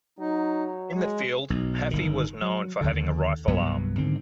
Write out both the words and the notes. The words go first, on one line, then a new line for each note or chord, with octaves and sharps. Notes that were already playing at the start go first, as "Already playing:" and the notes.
In the field, Hafey was known for having a rifle arm.
F#3 D#4
G#3
B1
G1 D#3
F#3
D#2 D3
C2 G2 F#3 B3
G#2 D3 D#3 C4